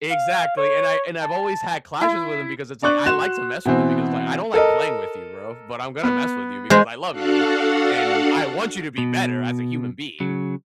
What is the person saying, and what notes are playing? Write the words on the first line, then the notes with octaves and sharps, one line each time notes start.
Exactly, and I and I've always had clashes with him because it's, like I like to mess with him because, like, "I don't like playing with you, bro, but I'm gonna mess with you because I love you, and I want you to be better as a human being,
F5
C#5
A5
E4
D4 D5 C#6 F#6 F#7
F#4 C6 F#6 E7
B2 E3 C4
A4 A#4 D#5
B3
G#3 C5
D4 F#4 A4 F5 F#5
B2
C#3 F#3